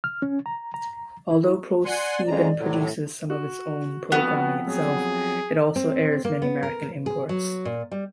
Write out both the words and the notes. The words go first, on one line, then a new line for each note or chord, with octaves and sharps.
Although ProSieben produces some of its programming itself, it also airs many American imports.
F6
C#4
A#5
A#5
E4
D5 F#5 G#5 C6
F2 G#3 C#4 A#5
A2 C3 F#3
F#4
F2 B3 F#4 B4
F#3 G#4
C4
A#3
B3
A#4
G#4
F#3
A#2
G3